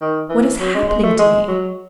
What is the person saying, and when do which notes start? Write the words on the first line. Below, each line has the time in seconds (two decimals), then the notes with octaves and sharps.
What is happening to me?
0.01 D#3
0.29 E3
0.60 F#3
0.75 G#3
0.88 G#3
1.03 A3
1.19 G#3
1.48 F#3